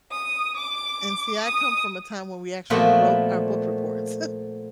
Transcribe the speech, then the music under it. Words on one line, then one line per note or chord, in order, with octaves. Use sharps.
And see, I come from a time when we actually wrote our book reports,
D#6
D6
D#6
A#2 F3 A3 B3 F#4